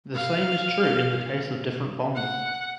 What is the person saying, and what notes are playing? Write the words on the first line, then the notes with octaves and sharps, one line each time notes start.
The same is true in the case of different bonds.
F5
F#5